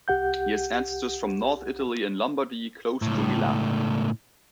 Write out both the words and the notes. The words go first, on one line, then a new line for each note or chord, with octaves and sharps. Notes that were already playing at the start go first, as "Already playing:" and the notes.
He has ancestors from North Italy in Lombardy, close to Milan.
C2 G4 F#5 G6
C#2 A2